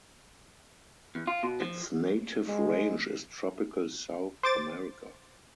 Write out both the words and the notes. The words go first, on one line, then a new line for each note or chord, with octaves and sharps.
Its native range is tropical South America.
E2
F4
B2
F3
G#3
C5 D6 A6